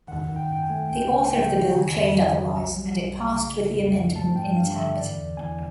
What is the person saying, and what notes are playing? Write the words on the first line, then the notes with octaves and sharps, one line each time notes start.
The author of the bill claimed otherwise and it passed with the amendment intact.
D#3 F#5
D#3
G5
F#2 G5
G#5
A3
C#2 G5
C#3
C#2 G5
C#3
D#3 G#5
F2
F#3
F#3
B1
G3
B1
B1
C#3
C#3
F2
A3
F3 A5
G2 G5
G2 F5
D3 E5
E3 D5
E2
E2 G#5